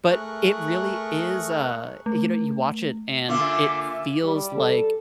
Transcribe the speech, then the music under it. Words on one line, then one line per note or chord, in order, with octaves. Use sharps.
but it really is, uh you know, you watch it, and it feels like
A3 G#4 A#4 C#6 F#6
A3
D3 A#3 F4 E5 G#5 D6
G3
A4